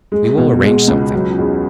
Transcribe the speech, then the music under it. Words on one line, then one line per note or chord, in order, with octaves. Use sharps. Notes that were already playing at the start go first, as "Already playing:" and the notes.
We will arrange something.
G#3
B2
G#3
C#2
F#3
E2